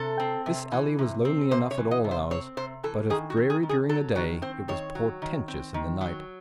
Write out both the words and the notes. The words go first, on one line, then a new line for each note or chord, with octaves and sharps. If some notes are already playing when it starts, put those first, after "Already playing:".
This alley was lonely enough at all hours; but if dreary during the day, it was portentous in the night.
Already playing: C3 A4
C4
C3
E3
C3
C4
C3 C5
C#5
E3
D#5
C3
C5
C4 C#5
C3 C5
E3 A4
D#3 G#4
F#4
C4
G#4
D#3
G#4
F#3 A4
D#3 F#4
C4 C5
D#3 C#5
F#3
D#3
C4
D#3
F#3